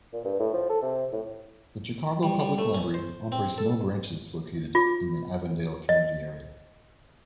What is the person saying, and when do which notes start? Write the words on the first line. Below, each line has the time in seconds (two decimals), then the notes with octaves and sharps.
The Chicago Public Library operates no branches located in the Avondale community area.
0.13 A#2
0.25 G2
0.40 A2
0.54 F3
0.70 A4
0.82 C3
1.13 A2
2.23 G3
2.40 G3
2.58 A3
2.74 C#4
2.94 C5
3.32 C4
3.58 A4
4.75 F4
5.89 D#5